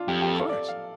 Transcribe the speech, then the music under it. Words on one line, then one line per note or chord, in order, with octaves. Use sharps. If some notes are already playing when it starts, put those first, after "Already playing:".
Of course.
Already playing: D4 F4
F2 G4
G4
A4
F5
D5
F5